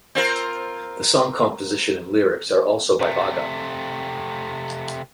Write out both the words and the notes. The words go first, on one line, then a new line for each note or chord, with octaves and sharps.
The song composition and lyrics are also by Bagga.
C4 F4 A#4
C3 A3